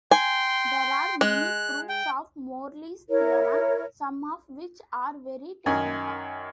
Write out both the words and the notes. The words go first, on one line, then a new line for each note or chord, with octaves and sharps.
There are many proofs of Morley's theorem, some of which are very technical.
G5 G#5 C6
G#3 F#6
G5
E4 A#4 C#5
F#2 D#3 G#5